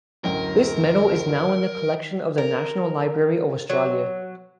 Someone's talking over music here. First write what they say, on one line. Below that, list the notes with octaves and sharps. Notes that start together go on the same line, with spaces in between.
This medal is now in the collection of the National Library of Australia.
D1 F#2 A#4 G5
A#4
F#3